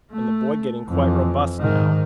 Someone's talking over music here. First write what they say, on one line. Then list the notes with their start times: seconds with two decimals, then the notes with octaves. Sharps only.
And the boy getting quite robust now!
0.12 A3
0.88 F2 E3
1.60 G#2 D#3